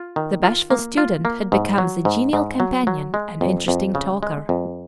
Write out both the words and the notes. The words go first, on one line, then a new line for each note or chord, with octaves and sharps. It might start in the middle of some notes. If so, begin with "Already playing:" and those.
The bashful student had become the genial companion and interesting talker.
Already playing: F4
D#3
F4
A#3
F4
A#3
G#2
F#3
G#2
G#2
F#3
F#3
G#3
F2
F2
C#3
G#3
F2